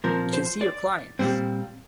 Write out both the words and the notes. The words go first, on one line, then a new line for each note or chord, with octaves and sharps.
You can see your clients.
A#2 F3 C4 A#4
C5
D5
A#2 G3 C4